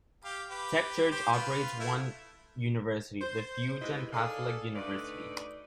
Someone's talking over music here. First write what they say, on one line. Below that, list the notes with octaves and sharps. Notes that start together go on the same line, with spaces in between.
The Church operates one university, the Fu Jen Catholic University.
G4 F5
G4 B4
G4 C5
F4 B4
A3 E4
C5
G#2 C3 E4 B4 D#5
G#4 A4 D5 F5
D2 A3 D#4 B4 D5